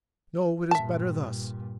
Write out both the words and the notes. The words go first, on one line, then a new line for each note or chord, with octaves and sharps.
No, it is better thus.
G2 A#2 E5 A5